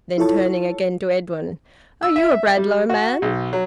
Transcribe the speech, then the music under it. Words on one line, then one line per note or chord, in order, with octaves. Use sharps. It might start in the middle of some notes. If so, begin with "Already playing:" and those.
Then turning again to Edwin: "Are you a Bradlaugh man?"
E4 F4 A4 C#5 A5
E6
E5
G3
F#4
B1
F#3